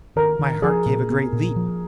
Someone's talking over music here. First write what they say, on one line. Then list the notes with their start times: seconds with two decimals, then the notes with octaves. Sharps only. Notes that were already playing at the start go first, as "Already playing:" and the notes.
My heart gave a great leap.
0.16 D#3 A#4
0.39 D#3
0.62 F3 G#4
0.86 A#2
1.10 B3
1.33 A#2
1.56 F3